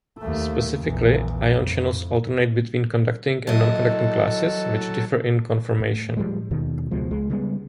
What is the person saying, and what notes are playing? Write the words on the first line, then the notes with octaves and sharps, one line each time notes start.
Specifically, ion channels alternate between conducting and non-conducting classes, which differ in conformation.
D#2 A3
A#1 E2
F2 A2
F#3 E4 A4 D#5
A2
A2 F3 G3 G#3
D#2 B2 D#3
C#2 B2 F3 G#3
C#2 G#3
C#3 G3 G#3 B3